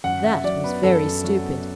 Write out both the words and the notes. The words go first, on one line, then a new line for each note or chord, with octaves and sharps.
'That was very stupid.
F#2 F#5
F#2 E5
F#3 D5
B3 B4
F#2 A4
F#2
F#3
B3